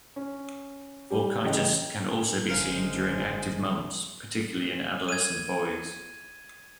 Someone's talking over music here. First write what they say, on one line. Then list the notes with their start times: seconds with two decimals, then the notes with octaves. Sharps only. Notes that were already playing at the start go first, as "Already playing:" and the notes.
Orchitis can also be seen during active mumps, particularly in adolescent boys.
0.16 C#4
1.10 G3 G4
1.44 A1 C#3 D#5 G5
2.49 F#1 F#2 D3 G#3 A#4 C5 F5 G#5
5.09 G#6 D#7